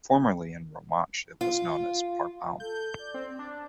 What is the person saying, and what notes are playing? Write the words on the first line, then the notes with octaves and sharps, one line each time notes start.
Formerly in Romansh it was known as "Parpaun".
F4
A4 G6
D5
C4
D4